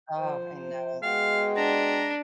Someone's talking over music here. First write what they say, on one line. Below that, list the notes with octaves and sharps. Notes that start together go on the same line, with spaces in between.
Oh, I know.
F3 C5
G#3 B3 F#4 F5 G5
D4 A#5